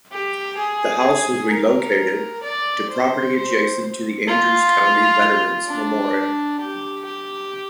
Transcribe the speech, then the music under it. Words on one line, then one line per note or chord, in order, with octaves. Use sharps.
The house was relocated to property adjacent to the Andrews County Veterans Memorial.
G4
G#4
A#4
D5
C5
C5
F4
D4
G4
G4